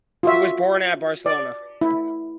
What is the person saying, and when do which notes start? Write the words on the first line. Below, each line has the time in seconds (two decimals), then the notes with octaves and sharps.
He was born at Barcelona.
0.23 F4 F#4 E5
1.26 D5
1.81 E4